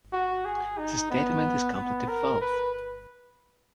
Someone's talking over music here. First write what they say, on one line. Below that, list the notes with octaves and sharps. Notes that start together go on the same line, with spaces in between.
This statement is completely false.
F#4
G#4
D#4
B3
B3
A#4
B4